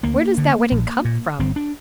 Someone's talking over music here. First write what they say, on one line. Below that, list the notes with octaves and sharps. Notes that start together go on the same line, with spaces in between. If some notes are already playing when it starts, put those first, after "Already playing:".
"Where does that wedding come from?"
D2 A#3
D3
A#1
A#2
G1 C4
D4